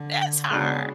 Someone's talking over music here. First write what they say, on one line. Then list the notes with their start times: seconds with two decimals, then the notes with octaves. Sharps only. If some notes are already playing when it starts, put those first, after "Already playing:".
That's hard.
Already playing: D3
0.51 C#3 G#3 B3 D4 F#4